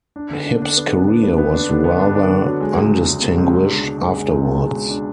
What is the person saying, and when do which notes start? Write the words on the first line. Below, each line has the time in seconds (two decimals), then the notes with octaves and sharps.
Hipp's career was rather undistinguished afterwards.
0.16 D4
0.31 D3
0.46 D4
0.62 D4
0.77 B3
0.92 B3
1.08 D4
1.23 B3
1.38 B3
1.54 D4
1.69 D3
1.84 B3
1.99 D4
2.15 D4
2.30 D3
2.45 F#3
2.61 G#3
2.76 C#2
2.91 G#3
3.07 G#3
3.22 B2
3.38 C#2
3.53 C#2
3.68 D4
3.83 C#2
3.98 G#3
4.14 G#3
4.29 C#2
4.45 B2
4.59 G#3
4.75 C#2
4.90 D4